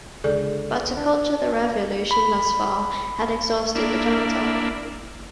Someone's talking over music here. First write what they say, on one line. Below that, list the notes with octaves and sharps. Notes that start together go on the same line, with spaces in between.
But to culture the Revolution thus far had exhausted the Junta.
C#2 D3 G#4 A4 D5
D4
B5
A#3 D4 E4